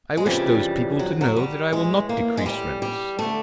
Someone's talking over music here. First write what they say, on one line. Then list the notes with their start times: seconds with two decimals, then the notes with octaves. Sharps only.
I wish those people to know that I will not decrease rents.
0.17 G#3
0.26 F2 C#3 E3 G3
0.99 F#3
1.21 F#3
1.37 G3
1.72 A2 E3 G#3
2.09 A#3
2.37 G#3
2.46 G3
2.82 G3
3.19 D3 A3